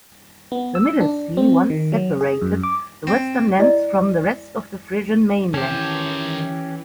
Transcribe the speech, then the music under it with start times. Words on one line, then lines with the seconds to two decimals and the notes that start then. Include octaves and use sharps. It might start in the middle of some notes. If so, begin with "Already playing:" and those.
The Middlesee once separated the western lands from the rest of the Frisian mainland.
0.52 B3
0.75 E6
1.00 D4
1.37 C4
1.70 D#3
1.92 F#3
2.21 G#4
2.42 F#2
2.63 D6
3.07 C4
3.59 E4 D5 D#5
5.54 D#3 E3 C#4 G4 A5